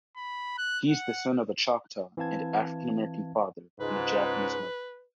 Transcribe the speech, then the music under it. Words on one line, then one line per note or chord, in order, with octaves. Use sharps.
He is the son of a Choctaw and African-American father and a Japanese mother.
B5
F#6
F#5
E3 C4 F5 A5 G#6
C#2 G#2 B4